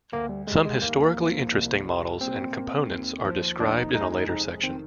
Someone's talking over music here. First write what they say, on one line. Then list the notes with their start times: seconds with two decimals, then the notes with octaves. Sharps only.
Some historically interesting models and components are described in a later section.
0.12 D2 A#3
0.29 G3
0.47 G3 G#3
0.65 G#3
0.82 D#2 A#3
1.17 F3
1.52 C2
1.86 G3
2.21 A#2 C4
2.55 A#3
2.90 D#2
3.25 F3
3.60 D#2 D4
3.78 D#4
3.94 G#3 D#4
4.12 D#4
4.29 F1 D#4
4.63 D#3 C4